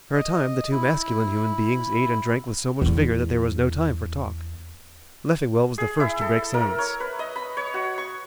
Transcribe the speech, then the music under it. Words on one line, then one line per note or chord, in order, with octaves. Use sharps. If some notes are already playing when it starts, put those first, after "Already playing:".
For a time the two masculine human beings ate and drank with so much vigor that there was no time for talk. Leffingwell was the first to break silence.
D#5
E4
E2 B3
G#4
E4
A4
A#4
C#5
B4
D#5
B5
C#5
F#4
C#6